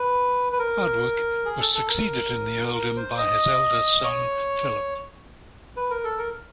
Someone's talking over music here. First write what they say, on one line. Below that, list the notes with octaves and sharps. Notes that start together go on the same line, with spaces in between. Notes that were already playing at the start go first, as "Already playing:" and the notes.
Hardwicke was succeeded in the earldom by his eldest son, Philip.
Already playing: B4
B4
A#4
G#4
A4
A4
A#4
A#4
C5
D#5
C#5
B4
A#4
A4
A#4